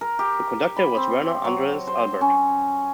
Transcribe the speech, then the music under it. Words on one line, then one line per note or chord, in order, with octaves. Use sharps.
The conductor was Werner Andreas Albert.
A#4
G4
B5
C4
F#3
C5
C#4